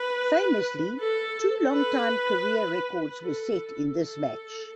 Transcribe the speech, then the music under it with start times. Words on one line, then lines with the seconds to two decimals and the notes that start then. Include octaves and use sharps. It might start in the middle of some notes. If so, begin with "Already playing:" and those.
Famously, two longtime career records were set in this match.
Already playing: B4
1.00 A4
1.73 B4
3.22 A4
3.96 A4